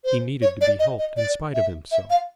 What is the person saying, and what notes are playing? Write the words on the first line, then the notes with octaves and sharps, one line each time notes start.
He needed to be helped in spite of himself.
C5
C#5
D5
D#5
D#5
D5
E5
E5
F5